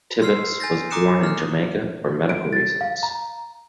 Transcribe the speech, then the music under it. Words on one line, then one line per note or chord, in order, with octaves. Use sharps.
Tibbetts was born in Jamaica for medical reasons.
C6 E6 F6 C7
G#5 G6 A6 A#6
A#5 D6 D#6 F#6 C#7 E7
F6 F#6
D7
A6
F5
A#5